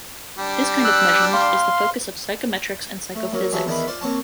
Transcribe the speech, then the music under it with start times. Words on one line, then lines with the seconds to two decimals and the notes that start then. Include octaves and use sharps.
This kind of measurement is the focus of psychometrics and psychophysics.
0.38 G3 D4
0.85 E6 F#6
1.33 F5 C6
3.16 A3
3.33 F#3 A#3
3.52 E3 F#3 D4 F4 G4 G#4
3.66 E2 D#3 D4 E4 B5
3.87 F4 C5 D5
4.01 A#3 C4 C#5 A5